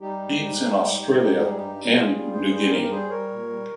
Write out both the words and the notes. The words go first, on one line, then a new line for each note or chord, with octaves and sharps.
It breeds in Australia and New Guinea.
G3 D#4 G4
G#2
G3
G3
G#2
G#2
G#2
G3
G#4
G2 D#4 G4
G3
G4
G3 F4 G#4
G3
G2 G#4 C5
G3 G#4 C5
G2 G4 A#4
A#4
G3 G#4 C5
G3 A#4 C#5
A#2
G3